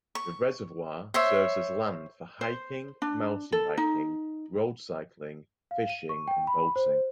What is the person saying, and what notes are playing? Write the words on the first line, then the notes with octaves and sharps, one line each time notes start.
The reservoir serves as land for hiking, mountain biking, road cycling, fishing, and boating.
C#6
C5 C#5 E5
C5
D4
A4
D#4
F5
D#7
C#6
G5
B5
C5